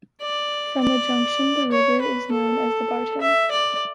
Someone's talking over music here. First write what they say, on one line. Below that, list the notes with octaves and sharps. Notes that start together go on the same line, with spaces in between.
From the junction the river is known as the Bartang.
D5
D5
C#5
B4
A4
E5
D5